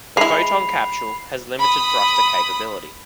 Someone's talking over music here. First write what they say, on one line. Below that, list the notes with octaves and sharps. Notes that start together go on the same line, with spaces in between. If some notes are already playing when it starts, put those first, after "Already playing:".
The Foton capsule has limited thruster capability.
G#3 E4 B5 C7 F7
B5 D#6